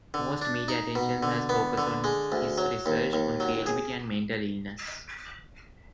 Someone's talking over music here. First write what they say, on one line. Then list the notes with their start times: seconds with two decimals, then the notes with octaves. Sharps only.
Most media attention has focused on his research on creativity and mental illness.
0.14 D3
0.42 D4
0.68 D#4
0.96 B2
1.23 D3
1.49 B3
1.78 D3
2.04 G#3
2.32 D2
2.58 F#3
2.86 D#2
3.13 D#2
3.40 F#3
3.66 G#4